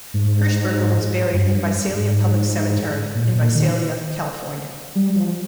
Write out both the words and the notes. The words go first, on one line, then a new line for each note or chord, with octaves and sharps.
Hershberger was buried at Visalia Public Cemetery in Visalia, California.
G#2
G2
G#2
A#2
A#2
D#3
G3
F3